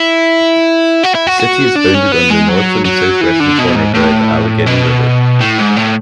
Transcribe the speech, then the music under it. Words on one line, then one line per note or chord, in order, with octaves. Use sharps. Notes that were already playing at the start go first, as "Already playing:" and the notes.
The city is bounded on the north and southwestern corner by the Allegheny River.
Already playing: E4
F#4
E4
F#4
F#4
D4
C#4
B3
G#3
F#3
F#3
E3
D3
B2
G#2
A2
B2
A2
G#2
A2